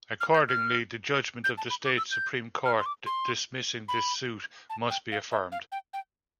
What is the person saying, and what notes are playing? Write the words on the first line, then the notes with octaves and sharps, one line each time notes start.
Accordingly, the judgment of the state supreme court dismissing this suit must be affirmed.
F6
G6
F6
G6
A5
B5
D6
E6
G6
F6
C6
D6
C6
B5
A5
G5
F5
E5
F5
G5
G5